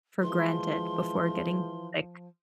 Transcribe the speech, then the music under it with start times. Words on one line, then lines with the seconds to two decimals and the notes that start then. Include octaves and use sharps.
for granted before getting sick.
0.23 E3 F3 G#3 C6